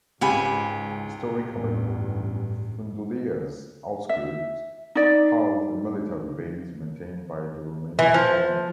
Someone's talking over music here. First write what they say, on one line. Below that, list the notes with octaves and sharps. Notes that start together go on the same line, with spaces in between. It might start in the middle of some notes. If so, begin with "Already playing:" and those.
Historically, Fundulea's outskirts housed a military base maintained by the Romanian Army.
C#2 G#2 G4 G#5 B5
A1 E2 G2
E5
D#4 D5
E3
F3